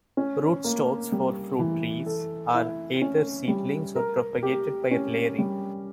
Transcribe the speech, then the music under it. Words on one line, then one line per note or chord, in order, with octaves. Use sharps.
Rootstocks for fruit trees are either seedlings or propagated by layering.
C#4
A#3
G3
E3
A4
E4
C#4
G3
A#4
G4
C#4
G3